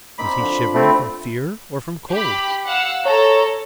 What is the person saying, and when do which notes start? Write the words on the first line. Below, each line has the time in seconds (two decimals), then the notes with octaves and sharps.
Was he shivering from fear or from cold?
0.19 C4 D#4 D5 B5
0.39 D3 F3
0.74 A3 C4 B5
2.14 G4 B5
2.67 F5 F#5 E6
3.06 A4 C#5 A#5